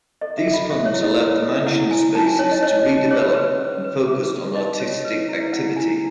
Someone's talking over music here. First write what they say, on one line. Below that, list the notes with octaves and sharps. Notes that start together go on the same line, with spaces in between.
These funds allowed the Mansion spaces to re-develop and focus on artistic activity.
A4 D#5
E5
A4
B5
C#4 E5
C#5
E4
D#5
C#5
A4
E4 F#5
E4 G#5
D#4 A5
G#5
D#4 C#5
D#5
C#5 D#5
D#4
G#4 C#5
B4
C#4
B4
G#4
G#4
D#4 D#5
C#5
B4
E4
E4 F#5
E4 G#5